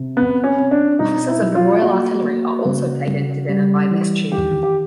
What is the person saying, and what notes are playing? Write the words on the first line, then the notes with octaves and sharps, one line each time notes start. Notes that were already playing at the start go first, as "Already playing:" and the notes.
Officers of the Royal Artillery are also played in to dinner by this tune.
Already playing: C3
B3 C4
C#4
C4
D4
B2 D#4
E4
F#3
F4
A#3 F#4
A#3
C#3
C#3
G3
E3
D#3 G4
G4